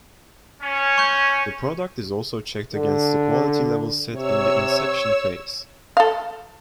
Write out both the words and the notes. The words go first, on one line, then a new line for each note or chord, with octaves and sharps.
The product is also checked against the quality level set in the Inception phase.
C#4
C#6 G6
D3
C3 C#5 E6
A4 F5